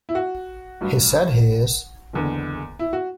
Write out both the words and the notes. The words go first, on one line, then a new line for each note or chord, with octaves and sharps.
He said he is.
E4
F#4
A1 G2 F#3
F#1 E2 D3
E4
F#4